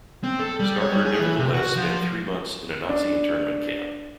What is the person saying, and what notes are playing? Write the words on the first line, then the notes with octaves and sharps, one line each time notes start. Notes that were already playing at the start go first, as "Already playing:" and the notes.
Starker nevertheless spent three months in a Nazi internment camp.
C4
A4
G3
C#5
G3
G#4
E3
C3
F#4
F3
D4